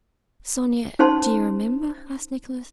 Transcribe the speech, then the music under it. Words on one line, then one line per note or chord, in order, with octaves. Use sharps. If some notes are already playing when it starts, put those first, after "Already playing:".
"Sonya, do you remember?" asked Nicholas.
C#4 D#4 C5 A5 C6